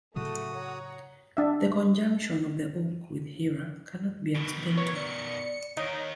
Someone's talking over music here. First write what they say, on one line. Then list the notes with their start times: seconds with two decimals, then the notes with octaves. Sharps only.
The conjunction of the oak with Hera cannot be accidental.
0.16 A2 C#3 F#3 A3 F#4 D#6
0.52 C#5 F#5 A#5
1.37 D4 E5
4.35 B2 D#3
4.77 B4 C#5
4.95 D5 C#7
5.77 D#2 D#3 D#4 C#5